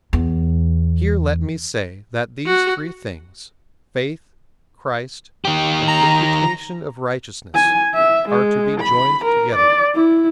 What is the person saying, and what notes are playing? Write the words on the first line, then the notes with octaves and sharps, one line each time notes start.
Here let me say, that these three things, faith, Christ, and imputation of righteousness, are to be joined together.
E2
F#4
D#3 G4
A#5
G#5
E5
G#3
B5
A#4
D5
E4